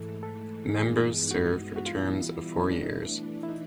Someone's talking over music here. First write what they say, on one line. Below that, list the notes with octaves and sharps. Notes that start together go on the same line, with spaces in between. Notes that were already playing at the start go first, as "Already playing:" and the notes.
Members serve for terms of four years.
Already playing: G#2 E3 A3 A4
A4
G2 E3 G#3 B3 D#4 G#4
F#4
F#4
E3 G3 B3 E4 F4
C#4
D4
D#4
E3 A3 D4 E4
E4
D#4